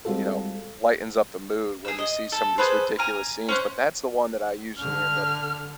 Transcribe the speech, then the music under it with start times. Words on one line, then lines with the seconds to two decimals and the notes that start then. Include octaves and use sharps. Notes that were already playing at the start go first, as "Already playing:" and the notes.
you know, lightens up the mood when you see some of these ridiculous scenes, but that's the one that I usually end up
0.05 G3 G#3 C4 F4 F#4 A4
1.85 G#4 E6
1.99 D#5
2.32 A4
2.58 G#4 A4 B4 C5
2.98 G#5 A#5 F6
3.49 C#4 C5 F#6
4.80 D3 F6